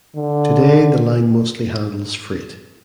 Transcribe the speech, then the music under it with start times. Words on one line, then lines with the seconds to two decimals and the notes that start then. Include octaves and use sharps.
Today the line mostly handles freight.
0.16 D3